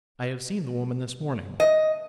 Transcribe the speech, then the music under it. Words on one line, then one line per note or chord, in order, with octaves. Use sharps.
'I have seen the woman, this morning.
D#5